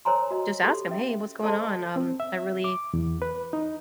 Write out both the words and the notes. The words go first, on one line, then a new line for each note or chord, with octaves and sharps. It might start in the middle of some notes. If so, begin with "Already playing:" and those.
just ask him, "Hey, what's going on? Um, I really
A#4 C5 C#5 G#5 A#5 C6
F#4 D#5
G4 A4 C6
C#4 E5
A4 C5 D#5 A5 C6
C4
E5
D6
E2
B4
D#4